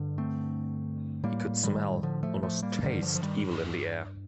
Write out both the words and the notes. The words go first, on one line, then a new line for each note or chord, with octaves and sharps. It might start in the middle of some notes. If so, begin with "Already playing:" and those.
He could smell, almost taste, evil in the air.
Already playing: G2 D3
A3 C4
A2 G3 A#3
D#3 G3
D3 F3
F3 A3
F3 A3
G3 A#3
G2 D3 D#3 G3
D3 F3
F3
D#3 G3